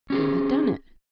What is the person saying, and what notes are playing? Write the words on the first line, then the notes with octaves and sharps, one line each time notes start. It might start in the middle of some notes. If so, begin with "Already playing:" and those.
Who had done it?
C#4 G4 G#4